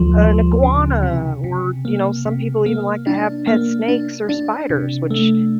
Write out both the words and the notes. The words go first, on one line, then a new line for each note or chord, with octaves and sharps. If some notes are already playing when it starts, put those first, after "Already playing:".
an iguana, or you know, some people even like to have pet snakes or spiders, which
Already playing: D2 F3
F3
C#3
C3
C3
A#3
C3
A#3
D4
A#3
D4
D4
C3
A3